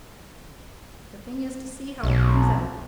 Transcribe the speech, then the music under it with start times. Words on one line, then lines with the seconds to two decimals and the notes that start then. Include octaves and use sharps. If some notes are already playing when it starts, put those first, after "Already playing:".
The thing is to see how it comes out.
2.03 B1